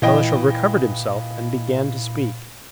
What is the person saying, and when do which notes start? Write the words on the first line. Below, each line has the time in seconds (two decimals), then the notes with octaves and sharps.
Balashev recovered himself and began to speak.
0.02 A#2 E3 D#5 F5 G5 B5